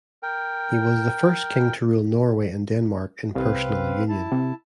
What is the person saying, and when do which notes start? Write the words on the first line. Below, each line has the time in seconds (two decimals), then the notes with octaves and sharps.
He was the first king to rule Norway and Denmark in personal union.
0.23 A#4 G5
3.35 C2 C4 B4 F5
4.09 E4 A5
4.32 C3